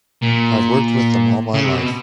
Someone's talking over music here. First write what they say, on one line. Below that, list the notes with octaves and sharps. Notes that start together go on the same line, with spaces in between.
I've worked with them all my life.
A#2
C#3
C3
B2